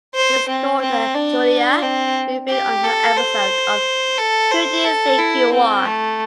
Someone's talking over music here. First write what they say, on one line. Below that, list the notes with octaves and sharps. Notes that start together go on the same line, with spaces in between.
His daughter Julia revealed on her episode of Who Do You Think You Are?
C5
C4
C4
D4
C4
G4
A4
C5
A4
C5
A4
E4
C4
A3